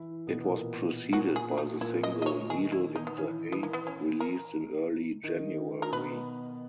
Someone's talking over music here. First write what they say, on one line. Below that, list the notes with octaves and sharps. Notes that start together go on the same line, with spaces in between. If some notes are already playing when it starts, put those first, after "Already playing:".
It was preceded by the single "Needle in the Hay", released in early January.
Already playing: E3 E4
B2 B3
B3
A#2 A#3
A#2 A#3 F#4
G#4
D#4
A#2 A#3 E4
D#5
D#5
C#5
D#3 D#4 G#4
E4
D#4
B3
E3 C#4 E4
B3
A#3
B3
C#4
A#4
D#3 D#4
A#4
B2 B3 B4